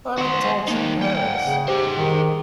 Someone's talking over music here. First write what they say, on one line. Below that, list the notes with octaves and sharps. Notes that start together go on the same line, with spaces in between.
Climate Talks in Paris.
F#4 C5
A#3 D#4
F#5 G5
C#3
G4 G#4 C5
D#3